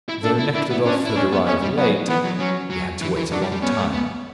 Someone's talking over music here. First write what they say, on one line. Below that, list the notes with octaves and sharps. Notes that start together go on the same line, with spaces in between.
Though Nekhludoff had arrived late, he had to wait a long time.
E4
D4 A4
E4
D4 E4
B3
C#4 D4
E4
C#4 D4
B3
B3 C#4
G3
F#3 B3
E3 B3
F#3
F#3 C#4
F#3
E3
E3
F#3 D4
G3
G3
B3 C#4
A3
B3